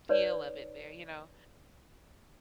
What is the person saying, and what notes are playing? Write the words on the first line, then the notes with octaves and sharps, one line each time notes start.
feel of it there you know?
D#4 B4 C#5 D5